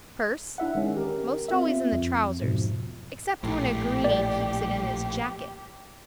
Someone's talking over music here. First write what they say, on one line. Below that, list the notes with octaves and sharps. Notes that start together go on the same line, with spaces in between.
Purse--most always in the trousers, except when a greeny keeps it in his jacket.
D4 E4 E5 F#5
D#3 G#3 C#4
G4 A#4
C4 F4 E5
F2
G#2 B2 F3
A#1 A2 G4
D5